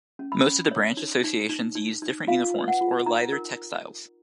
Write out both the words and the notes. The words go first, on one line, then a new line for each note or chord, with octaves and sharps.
Most of the branch associations use different uniforms or lighter textiles.
C#4
B5
C#4
C#5
D#4
D#4
D#4
D#4
D#4
F4 F5
B4
F#5
F4
D#4 A#5
A#4